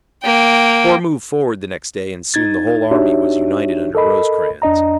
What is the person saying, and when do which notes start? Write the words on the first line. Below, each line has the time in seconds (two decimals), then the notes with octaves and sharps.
The corps moved forward the next day, and soon the whole army was united under Rosecrans.
0.23 A#3 G5
2.34 D#4 G#6 A6
2.91 D4 D#4 F#4 G4 C#5 E5
3.95 A4 A#4 D#5 B5
4.62 F2 D4 D#5 A#5